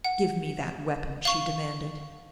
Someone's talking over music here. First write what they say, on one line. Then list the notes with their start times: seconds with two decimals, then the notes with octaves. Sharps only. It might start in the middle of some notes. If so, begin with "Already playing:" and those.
"Give me that weapon!" she demanded.
0.05 F#5
1.25 F5 C#6